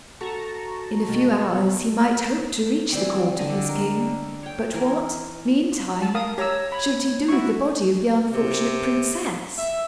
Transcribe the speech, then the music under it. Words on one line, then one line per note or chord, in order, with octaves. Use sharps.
In a few hours he might hope to reach the court of his king; but what, meantime, should he do with the body of the unfortunate princess?
F#4 A4 A5 A#5 C#6
E2 B2 D#3
E3 G3 C4
D3 D4 D#5
A#4
C#5 G5
E3 A#4
A5
A#4 F5 D#6
G4 C#5 A#5 E6
B5
E4 F#4 C#6
C3
E5